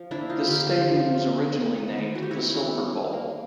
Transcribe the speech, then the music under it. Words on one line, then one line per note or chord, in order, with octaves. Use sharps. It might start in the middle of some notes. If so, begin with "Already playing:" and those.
This stadium was originally named The Silver Bowl.
Already playing: F3
D4 E4
A#3
D#4 F4
D3
F4 G4
D3 F4 G4
F3
A#3
G#3
B3
D#3
D#3 F#4
G4
E4 F#4
G#3
B3
F#3
A#3